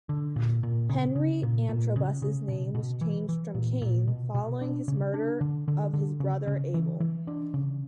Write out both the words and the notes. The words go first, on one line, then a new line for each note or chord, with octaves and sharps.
Henry Antrobus's name was changed from "Cain", following his murder of his brother Abel.
D3
A#2
A#2
C#3
C#3
A#2
A#2
C#3
C#3
B2
B2
E3
E3
A#2
A#2
B2
B2
D4
C#3
D4
D3
D3
D3
C#3
C#3
E3
E3
D4
C#3